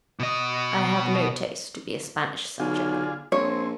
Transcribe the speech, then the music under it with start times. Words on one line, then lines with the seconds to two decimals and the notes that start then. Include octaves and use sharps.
"I have no taste to be a Spanish subject."
0.19 B2 D#5
2.60 B1 D3 F4 G#4
3.32 A#1 C4 C#5